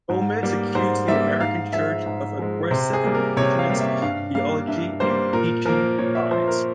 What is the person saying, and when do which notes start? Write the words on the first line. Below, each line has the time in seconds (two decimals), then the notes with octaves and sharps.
Gomez accused the American church of "aggressive revisionist theology" and teaching lies.
0.09 G#2
0.43 G3 A#3
0.75 G#2 C5
1.08 G3 A#3 E5
1.40 G#2 F5
1.73 F3 G#3 E5
2.06 G#2
2.39 F3 G#3
2.71 C3 C5
2.93 G#4
3.04 G3 A#3
3.15 A#4
3.37 C3 C#5
3.59 F5
3.70 G3 A#3
3.80 E5
4.02 G2 F5
4.35 G3 A#3 F5
4.67 G2 E5
5.00 G3 A#3 C5
5.33 A#2 A#4
5.66 F3 A#3 A#4
5.99 A#2 C#5
6.15 E5
6.31 F3 C5
6.34 A#3
6.48 A#4